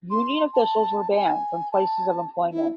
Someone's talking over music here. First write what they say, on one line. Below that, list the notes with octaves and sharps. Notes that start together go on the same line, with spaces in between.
Union officials were banned from places of employment.
C6
A5
G#5
A5
E4